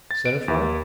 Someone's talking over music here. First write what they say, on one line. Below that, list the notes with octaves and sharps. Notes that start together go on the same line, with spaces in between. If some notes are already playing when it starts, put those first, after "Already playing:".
"Centre fire?"
A6
D7
D#2